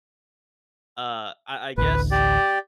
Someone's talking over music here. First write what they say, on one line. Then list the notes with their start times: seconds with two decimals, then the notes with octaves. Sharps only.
Uh, I I guess
1.78 A1 D2 B4
2.11 G4 D5